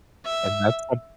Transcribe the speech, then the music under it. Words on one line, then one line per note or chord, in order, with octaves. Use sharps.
and that's some
E5